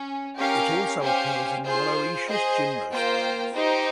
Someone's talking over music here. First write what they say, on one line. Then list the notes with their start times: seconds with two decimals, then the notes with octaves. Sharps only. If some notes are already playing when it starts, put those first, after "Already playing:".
It also occurs in monoecious gymnosperms.
Already playing: C#4
0.38 C#4 G4 A#4 F5
1.01 C#4 G4 C5 F5 G#5
1.64 F4 G#4 C5
2.28 G#4 C5 D#5
2.92 A#3 F4 C5 G5
3.54 D#4 G4 C5